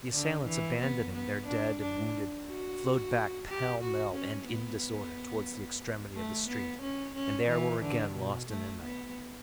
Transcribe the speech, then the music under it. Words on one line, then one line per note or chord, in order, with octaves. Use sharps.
The assailants, abandoning their dead and wounded, flowed back pell-mell and in disorder towards the extremity of the street, and there were again lost in the night.
D3
E3
B3
B3
D4
D4
F#4
G4
F#4
C#4
B3
A3
B3
C#4
C#4
E3
D3
B2
A3
B3